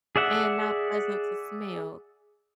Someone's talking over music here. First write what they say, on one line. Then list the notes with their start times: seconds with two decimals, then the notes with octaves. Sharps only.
and not pleasant to smell.
0.16 G#4 D5 E5 F#5